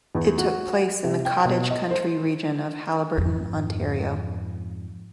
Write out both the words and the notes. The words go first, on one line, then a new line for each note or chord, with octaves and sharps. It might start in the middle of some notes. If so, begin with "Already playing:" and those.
It took place in the cottage country region of Haliburton, Ontario.
E2
F#4
C3
G5
B2
D#5
C5
F2 G#2